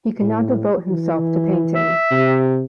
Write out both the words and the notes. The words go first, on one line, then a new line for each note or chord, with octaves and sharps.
He can now devote himself to painting.
A2
E3
E5
C3